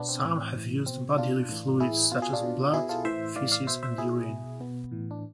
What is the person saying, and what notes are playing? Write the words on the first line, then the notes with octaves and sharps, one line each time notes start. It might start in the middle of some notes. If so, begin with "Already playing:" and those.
Some have used bodily fluids such as blood, faeces and urine.
Already playing: B2 B3 D4
C4
A2 E3
A2 E3
B2 C4
B2 D4 F4
A2 E3
A2 E3 E4 G#4
B2 F4
G#4
D4 F4
B2
B2 E4 G#4
F4 A4
A2 E3 C5 E5
A2 E3 D5 F5
D5 F5
B2 C5 E5
C5 E5
B2 E4 G#4
B2
B2 B3
A2 E3
D4